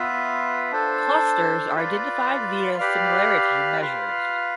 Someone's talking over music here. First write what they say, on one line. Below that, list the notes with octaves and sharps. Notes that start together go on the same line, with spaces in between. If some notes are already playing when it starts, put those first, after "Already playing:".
Clusters are identified via similarity measures.
Already playing: B3 F4 B4 E5
D4 A4 C5
F4 B4 D5
G4 B4 D5 F5
F4 B4 F5